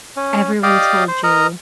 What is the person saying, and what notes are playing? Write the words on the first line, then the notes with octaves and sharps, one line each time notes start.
everyone told you,
C#4
G4 D5 D#5 F5
C5
A#4 D#5 A#5